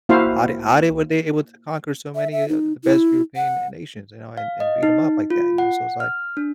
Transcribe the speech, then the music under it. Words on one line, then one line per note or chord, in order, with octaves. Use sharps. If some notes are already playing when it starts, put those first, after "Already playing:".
how they how were they able to conquer so many o of the best European e nations, you know, and and beat them up like that? You know, so it's like,
A#3 E4 F#4 C5 F5
E5
E5
D#4
E4
F#5
F5
D#5
D#4
F4
F#5
F6
D4